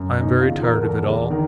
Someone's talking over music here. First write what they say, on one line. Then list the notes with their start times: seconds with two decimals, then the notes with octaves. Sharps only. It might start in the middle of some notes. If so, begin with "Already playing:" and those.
I am very tired of it all....
Already playing: F#2
0.20 B2 D#4
0.41 F4
0.48 E2
0.62 A#4
0.76 E2
0.83 A4
1.03 E2
1.30 D#3 A#4